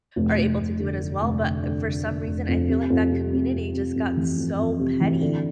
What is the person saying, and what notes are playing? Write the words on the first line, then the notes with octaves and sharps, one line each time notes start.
are able to do it as well, but, uh, for some reason, I feel like that community just got so petty.
F1
F1
F1
D3
D3
F1
D3
D3
D3
D3
F1
F2
C3
F2
C3
C3
F2
C3
F2
E3
F2
F2
C3
E3
D3